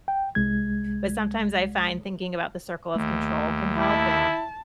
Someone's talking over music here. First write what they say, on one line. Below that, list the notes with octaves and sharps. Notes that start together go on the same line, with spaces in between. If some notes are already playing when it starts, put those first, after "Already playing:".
but sometimes I find thinking about the circle of control can help, and
G5
C2 G#3 G#6
D#2 A3
E4 A5